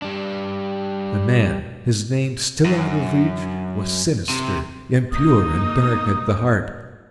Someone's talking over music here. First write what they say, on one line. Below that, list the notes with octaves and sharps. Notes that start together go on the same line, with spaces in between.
The man, his name still out of reach, was sinister, impure and dark at the heart.
G3 D4
F#2
C3
A#3 D#4 D#6